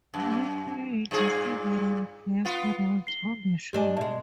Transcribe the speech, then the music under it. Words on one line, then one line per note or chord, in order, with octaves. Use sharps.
Buller played several guest roles on the show.
F#2
G2 A#2 G#4
B3 F4
C7 G7
G2 D4 G4 D#5 G#5
B2 G#3 E5 A5